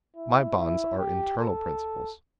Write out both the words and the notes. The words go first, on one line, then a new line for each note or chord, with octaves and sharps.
My bonds are internal principles.
E4
E4
G4
A4